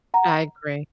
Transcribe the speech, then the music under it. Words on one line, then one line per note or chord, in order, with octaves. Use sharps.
I agree.
F#5 A#5